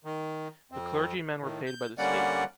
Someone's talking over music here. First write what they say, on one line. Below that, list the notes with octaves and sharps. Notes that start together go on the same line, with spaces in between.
The clergymen were paid by the state.
D#3
F2 C4
A2 D#3
G6
D3 G3 A#3 C#4 D5 F#5